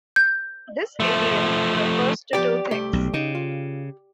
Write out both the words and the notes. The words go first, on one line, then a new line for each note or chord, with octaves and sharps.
This idiom refers to two things.
G6
F3 A3
F3 B3 G4 D5 G5
C2 A3 G4
B1
C#3 D#4 D#5
F4